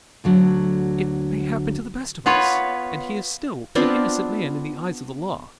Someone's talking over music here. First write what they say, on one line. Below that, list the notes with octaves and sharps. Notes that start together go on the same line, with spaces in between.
"It may happen to the best of us; and he is still an innocent man in the eyes of the law."
D2 D3 F#3
B3 F4 B4 C#5
B3 C4 D4 F4